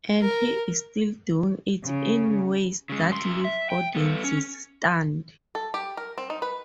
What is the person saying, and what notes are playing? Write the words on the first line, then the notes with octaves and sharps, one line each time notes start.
And he is still doing it in ways that leave audiences stunned.
A#4
C#3
C#3 G#3
F#2 C6
E5
G5
B3 A4
C#4
A4
G4
A#4
C4
D#4
B4